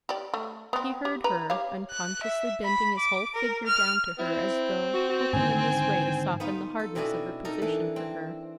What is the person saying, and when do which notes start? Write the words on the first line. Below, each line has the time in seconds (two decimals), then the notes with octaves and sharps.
He heard her, unconsciously bending his whole figure down to her as though hoping in this way to soften the hardness of her position for her.
0.09 G4 D5
0.34 A3
0.73 B3 C4
1.05 G4
1.24 B4 A#5
1.50 G4 C#5 F5
1.91 F#6
2.23 E5
2.64 B5
2.98 D6
3.35 A#4
3.66 F6
4.19 C4 E4
4.94 F#4
5.09 F#4
5.33 G#2 D3 D#3 G#5
6.40 B3 D#4 F4
6.79 A4
6.95 B2 C4 D4 E4 D5 G#5
7.45 D#4 A4 A#4
7.62 E3 D4
7.96 C4